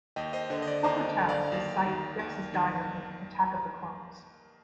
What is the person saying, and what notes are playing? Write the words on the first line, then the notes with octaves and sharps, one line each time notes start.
Coco Town is the site of Dex's Diner in "Attack of the Clones".
D#2 D#5 G5
C5 D#5
D3 C5
D#5
D5
D#2 C5 D#5
D3
D5 F5
D#2
D#3
D#2
D#3